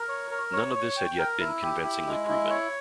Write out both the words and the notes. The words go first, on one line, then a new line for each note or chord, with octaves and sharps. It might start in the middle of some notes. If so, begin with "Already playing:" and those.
None of this had yet been convincingly proven.
Already playing: A#4
C#5
A#4
C#5
C#5
G5
A#4
E4
G4
E4
G#3
E4
C#5